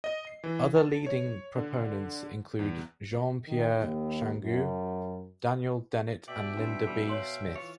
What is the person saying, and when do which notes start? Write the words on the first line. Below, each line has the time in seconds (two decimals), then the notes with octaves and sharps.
Other leading proponents include Jean-Pierre Changeux, Daniel Dennett and Linda B. Smith.
0.04 D#5
0.27 C7
0.44 E3
0.76 A5
1.06 C#5
1.56 D3
2.59 E2
3.48 D#3
3.79 D#2
4.41 F#2
6.28 B2 D5 E5 G5
6.57 G3 C4 D4
6.87 G3
7.08 C#5 F5 C6 F#7
7.56 E3 F4 C#5